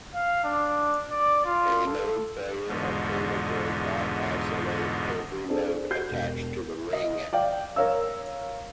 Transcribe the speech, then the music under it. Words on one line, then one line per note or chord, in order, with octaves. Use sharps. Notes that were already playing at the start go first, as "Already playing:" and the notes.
A node failure or cable break might isolate every node attached to the ring.
F5
D4
D5
F4
A4
E2 G#2 B2 D3 F3
C4 D4 G#4 A4
F#4 G4 G6 C7
E1
D#5
D5 F5 G5
A#4 C#5 F5 E6